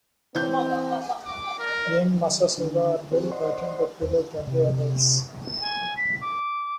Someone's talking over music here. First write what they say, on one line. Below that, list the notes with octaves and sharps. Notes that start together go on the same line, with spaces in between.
Young massasauga are well-patterned but paler than the adults.
E3 C4 G6
D6
A#4
D#3 F#3
D3 D#3 D4
D#3 C4 G4 G#4 C5
C5 D5 D#5 F#5 C6
E2 C5
C3
G#5
B6
D6